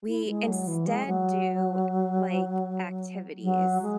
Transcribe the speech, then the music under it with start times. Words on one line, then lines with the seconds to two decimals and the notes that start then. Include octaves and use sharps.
We instead do, like, activities.
0.08 E4
0.28 G#3
0.48 F#3
0.68 E3
0.87 G#3
1.07 F#3
3.43 F#3
3.82 G#3